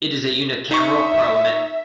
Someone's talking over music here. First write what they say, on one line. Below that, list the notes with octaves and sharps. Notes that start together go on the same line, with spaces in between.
It is a unicameral parliament.
D#4 E5 C#6